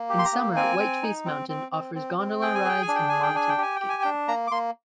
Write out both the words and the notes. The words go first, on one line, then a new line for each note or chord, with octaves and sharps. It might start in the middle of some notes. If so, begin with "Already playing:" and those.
In summer, Whiteface Mountain offers gondola rides and mountain biking.
Already playing: A#3
G4
C6
A#5
A#3
C4 G#5
C4
D#4
C4
C4
C4
C4
C4
G#4 G5
G#5
G#4 G5
G#5
D4
G5
G#4 G#5
G5
D4 G#5
G5
G4 G#5
G5
G4
G#5
D4 G5
A#3 A#5
D6
A#3 C6